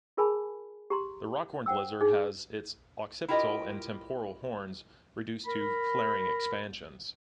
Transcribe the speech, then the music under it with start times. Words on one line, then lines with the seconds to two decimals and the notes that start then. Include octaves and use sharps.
The rock horned lizard has its occipital and temporal horns reduced to flaring expansions.
0.17 F4 G#4 A#4 G#5 A5 B5
0.90 G4 A#5 C6
1.66 C5 F#5 G5 E6
2.00 D4 D#4 G#4
3.28 E4 F4 G4 A#4 D#5
5.46 A#4 B5